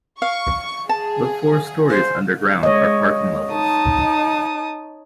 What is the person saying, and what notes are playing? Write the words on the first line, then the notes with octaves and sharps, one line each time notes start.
The four stories underground are parking levels.
F5 C#6
G#4 A5
C5 F5
G#3 C#5 D#5
D#4 A5 D#6